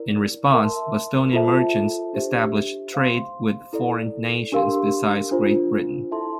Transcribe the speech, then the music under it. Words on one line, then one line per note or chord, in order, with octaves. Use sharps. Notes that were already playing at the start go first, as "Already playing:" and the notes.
In response, Bostonian merchants established trade with foreign nations besides Great Britain.
Already playing: E4 A#4 D5
A#4 E5 A5 C6
F4 A4 C5 E5 A5
D4 G4 C5 E5
C5 F5 C6
E4 A4 D5
D4 G4 A#4 F5 C6
D4 F4 C5
E4 A4 E5 A5 C6